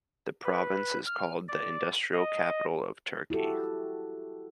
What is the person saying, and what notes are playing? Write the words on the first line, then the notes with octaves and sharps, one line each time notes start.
The province is called the industrial capital of Turkey.
B4
F6
D5
D#5
E4 F#4 G4 A4